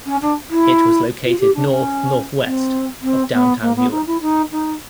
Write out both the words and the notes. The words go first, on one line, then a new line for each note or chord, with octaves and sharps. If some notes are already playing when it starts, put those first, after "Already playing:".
It was located north-northwest of downtown Newark.
C#4
D4
E4
F4
G4
D4
C#4
C4
C4
B3
A#3
B3
D#4
E4
D#4
D#4